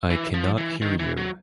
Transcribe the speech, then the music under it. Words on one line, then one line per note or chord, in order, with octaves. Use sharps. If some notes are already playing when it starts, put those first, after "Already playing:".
I can not hear you.
E3
F3
E3
D#3
E3
F#3